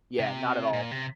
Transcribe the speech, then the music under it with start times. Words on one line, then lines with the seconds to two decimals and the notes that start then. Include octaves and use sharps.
Yeah, not at all.
0.19 C3
0.73 A#2
0.91 C3